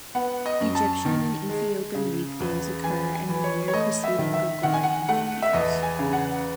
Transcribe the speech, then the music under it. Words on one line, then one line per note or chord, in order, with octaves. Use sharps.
Egyptian and Ethiopian leap days occur in the year preceding Gregorian leap years.
B3 F#5
D#5
F#2
A5
D#3
G#3
C#3
E2
E3 G#5
G#5
E3
C#5
C#5
A3 D#5
E5
D#3
E5
D#3 F#5
G#5
F#5
A3 F#5
E5
E2 D#5
G#5
C#3
F#5